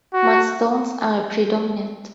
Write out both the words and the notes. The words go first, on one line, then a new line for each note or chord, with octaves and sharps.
Mudstones are predominant.
F#4